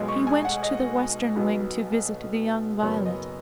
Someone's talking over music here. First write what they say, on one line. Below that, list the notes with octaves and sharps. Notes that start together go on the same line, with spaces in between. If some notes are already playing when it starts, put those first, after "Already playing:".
He went to the western wing to visit the young Violet.
Already playing: B1 B2 G#3
C#6
G#5
F#5
D#5
B1 B2 F#3 B3
F#1 F#2 F#3 B3 C#5
D#5